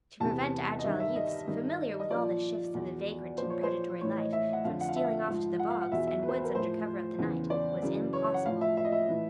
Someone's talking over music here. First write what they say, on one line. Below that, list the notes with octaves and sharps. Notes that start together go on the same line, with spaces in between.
To prevent agile youths, familiar with all the shifts of a vagrant and predatory life, from stealing off to the bogs, and woods under cover of the night, was impossible.
E2 C3 E3 A5
D#5
G2 D#3 E5
E5
D#5
G2 D#3
D#5
A#2 F3 D5
E2 B2
A#2 F3 C5
C#5
C5
A2 E3 C#5
D#5
E5
F#5
F2 D3 F3 F5
F#5
F5
E5
F5
G#2 F3
F#5
F5
F#5
E2 B2 E5
E5
B4
C5
B4
A#4
A2 F3 C5
E2 C#3 E3
D5
F#2 C#3 E3
C#5
C#5
F#5
A2 F3 F5
E5
E5
D#5
E5
A2 E3